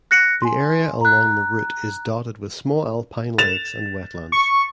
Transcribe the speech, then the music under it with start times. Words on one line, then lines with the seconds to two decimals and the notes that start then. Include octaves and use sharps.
The area along the route is dotted with small alpine lakes and wetlands.
0.11 F#6 A#6 C#7
0.42 G#5 C6
1.01 A#5 F#6
3.38 A6 E7 F7
4.32 C#6